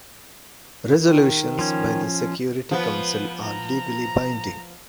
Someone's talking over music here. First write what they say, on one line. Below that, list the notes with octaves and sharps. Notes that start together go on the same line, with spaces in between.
Resolutions by the Security Council are legally binding.
D#3
F3 C#4
F3 B3 B4
A#5